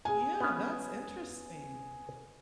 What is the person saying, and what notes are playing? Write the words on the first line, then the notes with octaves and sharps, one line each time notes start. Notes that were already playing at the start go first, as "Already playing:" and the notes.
Yeah, that's interesting.
G#4 G#5
B3 C#4